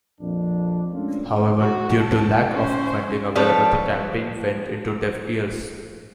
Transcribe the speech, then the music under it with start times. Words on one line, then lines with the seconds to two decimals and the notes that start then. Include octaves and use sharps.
However, due to lack of funding available, the campaign went into deaf ears.
0.21 A#1 F2 D4
0.93 G#3 A3 C#4 D4 F4 A4
1.59 F#4
2.00 A5
2.51 C#4 C5
3.35 F3 G3 C4 A4 B4 C#5